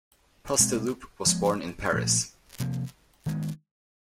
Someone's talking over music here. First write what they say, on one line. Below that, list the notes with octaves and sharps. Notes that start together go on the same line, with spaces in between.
Pasdeloup was born in Paris.
B2 G#3 C4
F3 G#3 B3
A#2 F3 A3
C3 F3 A#3
D#3 G#3 B3